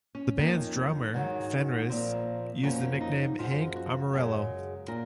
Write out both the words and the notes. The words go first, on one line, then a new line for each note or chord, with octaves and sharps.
The band's drummer, Fenriz, used the nickname "Hank Amarillo".
C#4
F2 D#3 A#3
G#2 D#3 F#3
A#2 F3 A#3 C4
F#2 F3 A#3 C#4
D#4
F#2 F3 G#3 F4
F#4
F#2 C#3 G#3
A#2 A#4